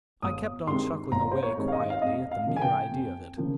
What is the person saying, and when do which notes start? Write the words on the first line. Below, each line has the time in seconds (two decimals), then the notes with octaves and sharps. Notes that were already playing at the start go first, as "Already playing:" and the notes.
I kept on chuckling away quietly at the mere idea of it.
0.22 G1 D#6
0.67 G2 D#3 G#3 C4 C6
1.12 G1 A#5
1.32 C5
1.43 C#5
1.57 G2 D#3 G#3 C4
1.68 F5
1.72 D#5
1.90 F5
2.02 F2 D#5
2.32 F5
2.47 C#3 F3 A#3
2.56 G#5
2.62 G5
2.91 F2
3.37 C#3 F3 A#3